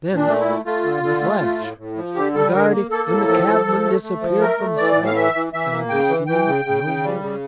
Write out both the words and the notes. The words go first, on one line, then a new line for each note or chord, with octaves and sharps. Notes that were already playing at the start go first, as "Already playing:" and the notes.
Then in a flash the guarde and the cabman disappeared from sight and were seen no more.
A#2
D4
A3
E4
A3
A3 F4
D3
D3
A3
A3
A2
A2
F3
D3 G4
G3 A4
D3 A#4
A#3
A#3 A4
A2
F3
F3
F3
A3
A3
F3
A3 A#4
A3
E3 D5
A2
F5
E3 E5
E3
E3 E5
A#3
C#3 G5
E3
E3 G5
C#3
C#3
C#3
G3
C#3